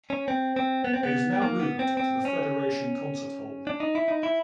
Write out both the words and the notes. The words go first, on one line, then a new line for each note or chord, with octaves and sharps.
It has now moved to the Federation Concert Hall.
C#4
C4
C4
B3
C4
B3
A#3
B3
C4
C4
C#4
D4
D#4
E4
D#4
E4